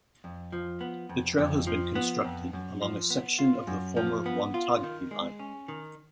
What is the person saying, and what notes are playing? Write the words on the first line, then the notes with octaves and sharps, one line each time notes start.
The trail has been constructed along a section of the former Wonthaggi line.
F2
F3
B3
F2
F2
F3
B3
F2
F#2
F3
B3
F4
F#2
F3
B3
F4
D#3
G#3
C#4
D#3